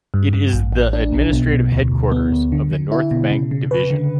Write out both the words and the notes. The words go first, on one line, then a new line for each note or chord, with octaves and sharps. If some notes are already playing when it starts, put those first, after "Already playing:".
It is the Administrative headquarters of the North Bank Division.
G2
G2
A1
A1
D4
B1
B2
B2
D2
D2
B3
D2
D3
D3
E4
B2
C#3
C#3
B4
D3